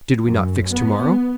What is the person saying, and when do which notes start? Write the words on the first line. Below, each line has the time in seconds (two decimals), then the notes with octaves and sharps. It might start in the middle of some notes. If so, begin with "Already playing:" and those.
"Did we not fix to-morrow?"
0.24 F#2
0.70 B3